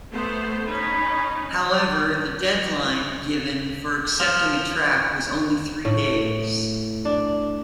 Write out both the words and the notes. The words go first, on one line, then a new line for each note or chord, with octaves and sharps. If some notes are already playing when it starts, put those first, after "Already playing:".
However, the deadline given for accepting a track was only three days.
A3 B3 C5
C#4 D#4 B5
F3
A2
D4